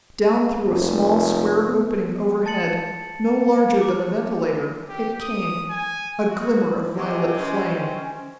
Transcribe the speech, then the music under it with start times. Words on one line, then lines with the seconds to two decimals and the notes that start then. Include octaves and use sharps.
Down through a small, square opening overhead, no larger than a ventilator, it came ... a glimmer of violet flame!
0.67 F1
1.69 B3
2.46 A5 A6 C#7 F#7
3.81 D6
4.89 G4
5.22 D#6
5.70 G#5
6.29 F#4
6.96 C3 G#3 C4 G4
7.38 C#4